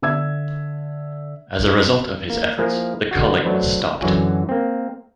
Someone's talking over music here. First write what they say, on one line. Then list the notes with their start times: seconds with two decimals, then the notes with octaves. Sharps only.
As a result of his efforts, the culling was stopped.
0.02 D3 E5 E6 G#6
2.30 A#3
2.58 F3 A#3 E4 G#4 A#4 C5
3.11 D3 F#4
3.45 F#3 A3 D4 B4 C5
4.01 F#2 D3 E3 F#3 F#4 G#5
4.49 A#3 C4